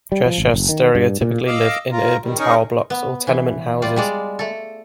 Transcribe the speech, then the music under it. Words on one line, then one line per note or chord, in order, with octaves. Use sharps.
Dresiarze stereotypically live in urban tower blocks or tenement houses.
G3
F3
G#1
F#1
D#3
G2
A#2
D#5 F5 D6 E6
F4 A#4
D#3 G3
C#4 D#4 G#4 A#4 C#6
B3
E3
G3 F4 D5
G3 G#3 D5
A3 A4